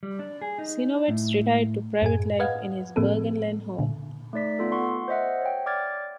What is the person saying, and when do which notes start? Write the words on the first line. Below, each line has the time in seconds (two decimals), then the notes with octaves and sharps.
Sinowatz retired to private life in his Burgenland home.
0.03 G3
0.19 D4
0.41 G#4
0.58 D#4
1.08 A2
2.02 F#2 A2 G#4 G#5
2.39 B4 D#5 F5 F#5 G#6
2.96 A2 F3 A#3 C4 G#4 A4
3.79 A#2 D3
4.33 A3 D#4 D5 B6
4.59 B3 F4 A4
4.72 F#5 C6 C#6
5.08 C5 D#5 E5 F#5
5.42 C#5 G5
5.66 D5 D6 F6 G#6 A6